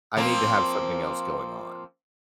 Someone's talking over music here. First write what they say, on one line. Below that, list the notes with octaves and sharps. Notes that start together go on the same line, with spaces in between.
I need to have something else going on,
F3 A#3 C4